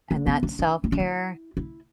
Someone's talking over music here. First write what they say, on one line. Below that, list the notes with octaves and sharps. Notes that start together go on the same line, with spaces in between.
and that's self-care,
D4
B3
D4
D4
E4
D4
E4
E4